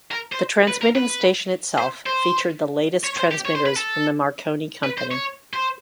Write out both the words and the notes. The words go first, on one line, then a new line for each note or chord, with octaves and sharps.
The transmitting station itself featured the latest transmitters from the Marconi Company.
A#4
C5
B4
A#4
B4
C5
C5
C#5
C5
G4
C#5
C5
B4
A4
B4
C5
C#5
C5